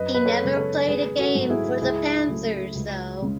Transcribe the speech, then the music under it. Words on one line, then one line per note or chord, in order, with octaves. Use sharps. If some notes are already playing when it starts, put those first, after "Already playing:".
He never played a game for the Panthers, though.
Already playing: F#2 B4 D#5
B4
A4 C#5
C#3 G#3 B3
A4 C#5
G#1 G#4 B4
F#4 A4
G#2 F#3 A3
E4 G#4
C#2 E4 G#4
C#3 F#3 A3
C#2
C#3 G#3